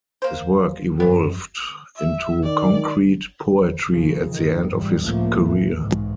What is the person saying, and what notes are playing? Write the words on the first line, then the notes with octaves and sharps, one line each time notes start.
His work evolved into concrete poetry at the end of his career.
A#3 C5
F#2 B3
E5
D#3 D5
C#3 F3
G2 D#3
A1 F2 G#2 G3
C#2 A2 C#3 F3 A3 A#3
E3
B1 G#2